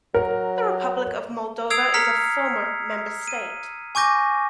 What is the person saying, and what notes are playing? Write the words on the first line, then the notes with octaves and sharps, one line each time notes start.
The Republic of Moldova is a former member state.
F#3 A#4
D#6 E6 G#6 C7 D7 F7
A#5 F6 B6 C#7
D#7
G#5 C#6 D6 G6 A#6